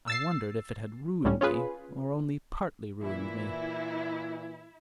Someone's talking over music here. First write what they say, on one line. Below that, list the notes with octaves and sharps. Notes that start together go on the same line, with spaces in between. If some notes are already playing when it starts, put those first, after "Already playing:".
I wondered if it had ruined me or only partly ruined me.
E6 A6 C7
C#2 A2 D3 G3 C#4
C#4 F4 G#4 B4
A#2 E3 E4